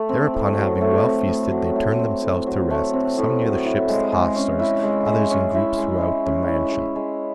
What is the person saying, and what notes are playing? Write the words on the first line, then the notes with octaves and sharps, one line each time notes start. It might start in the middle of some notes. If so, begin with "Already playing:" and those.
Thereupon having well feasted they turned themselves to rest, some near the ship's hawsers, others in groups throughout the mansion.
Already playing: A3
C4
A2
F#3
A3
C4
A2
F#3
A3
C4
A2
F#3
A3
C4
A2
F#3
E4
G#3
G#3
C#4
E4
G#3
G#3
C#4
E4
G#3
G#3
C#4
E4
G#3
G#3